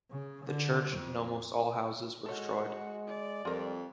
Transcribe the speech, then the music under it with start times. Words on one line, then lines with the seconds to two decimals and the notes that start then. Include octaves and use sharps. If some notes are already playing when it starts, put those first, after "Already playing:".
The Church and almost all houses were destroyed.
0.11 C#3
0.45 D3
0.92 F2
2.26 G#3 F#4 A4 C#5
3.07 D5
3.45 F2 G3 F4 A#4